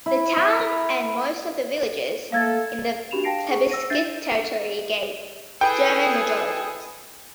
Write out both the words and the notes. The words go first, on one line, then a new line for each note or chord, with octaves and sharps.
The towns and most of the villages in the plebiscite territory gave German majorities.
E4
E4
A#5
A3 A#3 A4 F5 G#6 A6
D4 F#4 G4 B5 E7 F7
F5 G5 A5 A#6 C7 D7
G#4 C#6 C7
E6 A#6 D#7
D4 E5 G6 A6 C7
E4 G#4 A4 B4 G5